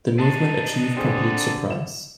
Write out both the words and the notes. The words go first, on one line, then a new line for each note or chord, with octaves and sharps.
The movement achieved complete surprise.
D4 D#4 A5
D3 C4 G#4
E7